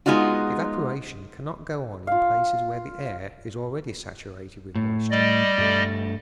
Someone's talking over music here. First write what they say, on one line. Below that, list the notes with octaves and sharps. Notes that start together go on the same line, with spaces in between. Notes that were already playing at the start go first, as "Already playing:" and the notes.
Evaporation cannot go on in places where the air is already saturated with moisture.
G#3 B3 D#4 F4 F#4
F4 F5
A2
G3 D5 D#5
G2 A3